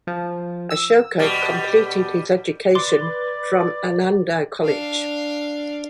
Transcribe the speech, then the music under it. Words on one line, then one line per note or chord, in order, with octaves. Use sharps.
Ashoka completed his education from Ananda College.
F3
E6
B2 G3
B4 D5 C6 D6
D4 F5